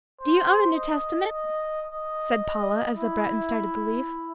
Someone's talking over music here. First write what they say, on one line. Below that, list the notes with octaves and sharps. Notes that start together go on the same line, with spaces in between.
"Do you own a New Testament?" said Paula as the Breton started to leave.
C5
D#5
D#5
D#5
E4